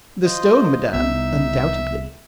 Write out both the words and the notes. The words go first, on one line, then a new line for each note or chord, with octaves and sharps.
"The stone, madam, undoubtedly."
F4 C5 D#5
C2 B3 D#4 E5